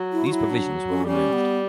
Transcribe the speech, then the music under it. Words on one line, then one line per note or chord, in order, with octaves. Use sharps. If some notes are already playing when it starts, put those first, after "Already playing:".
These provisions were removed.
Already playing: F#3
E4
F#4
F#3 E4
D4
C#4
G3 C#4
B3